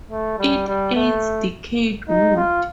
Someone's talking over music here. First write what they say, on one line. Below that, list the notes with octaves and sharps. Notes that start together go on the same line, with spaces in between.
It eats decayed wood.
A3
G3
G3
A3
D#4
F4